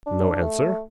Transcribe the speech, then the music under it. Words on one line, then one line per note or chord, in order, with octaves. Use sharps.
No answer.
D4
A3